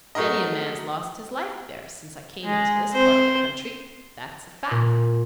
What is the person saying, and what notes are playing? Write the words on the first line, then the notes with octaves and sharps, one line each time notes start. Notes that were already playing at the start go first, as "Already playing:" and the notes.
Many a man's lost his life there since I came into this part of the country, that's a fact.
F#3 A3 G#4 A#4 D#5
G#3
C4 C5
A#2